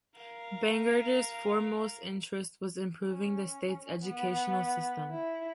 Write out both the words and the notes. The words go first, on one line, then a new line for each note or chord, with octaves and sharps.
Bangerter's "foremost interest was improving the state's educational system".
A#4 F5
C#4
B3
E4